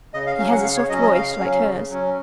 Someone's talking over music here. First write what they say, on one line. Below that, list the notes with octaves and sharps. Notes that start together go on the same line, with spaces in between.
He has a soft voice, like hers.
C#3 D#5
F5
F#3 C#4 F5
F#5
C#3 F5
C#5
F#3 C#4 D#5
D#5
C#3 F5
F#3 C#4
C#3
F#3 C#4